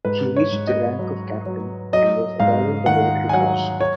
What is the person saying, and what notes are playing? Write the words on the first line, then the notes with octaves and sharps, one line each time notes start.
He reached the rank of Captain and was awarded the Military Cross.
G#2 B4
C#5
G#2
D#5
F#3
F#3
F#3 D#5
G#2 F5
D#3 F#5
G#5
F#3 F#5
C#5